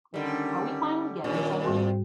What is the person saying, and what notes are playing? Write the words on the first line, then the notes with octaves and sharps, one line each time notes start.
Are we finally getting somewhere?
D3 D#3 G3 C#4
G2 A#2 D#3 C#4
G#2 G3 C4 F#4